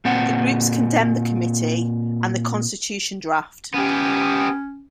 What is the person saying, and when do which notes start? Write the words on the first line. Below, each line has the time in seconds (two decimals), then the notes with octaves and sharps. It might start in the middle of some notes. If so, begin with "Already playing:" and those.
The groups condemned the Committee and the constitution draft.
0.05 A#2 C4 F#5
3.74 B3 C#4 G4